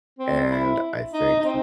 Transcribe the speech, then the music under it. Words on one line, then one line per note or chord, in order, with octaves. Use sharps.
And, I think
C4
E4
D#4
D#4
C4